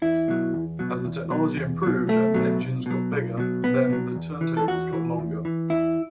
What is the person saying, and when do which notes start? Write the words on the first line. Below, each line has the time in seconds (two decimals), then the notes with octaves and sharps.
As the technology improved and engines got bigger, then the turntables got longer.
0.02 E2 E4
0.28 B2 F#3
0.54 E2
0.79 B2 F#3
1.05 E2
1.31 B2 F#3
1.57 E2
1.83 B2 F#3
2.08 B1 A3
2.34 B2 F#3
2.60 B1
2.86 B2 F#3
3.12 B1
3.37 B2 F#3
3.64 B1 B3
3.90 B2 F#3
4.15 E2
4.41 E3
4.57 A4
4.67 E2 F#4
4.93 E3
5.19 E2
5.45 E3
5.70 E2 E4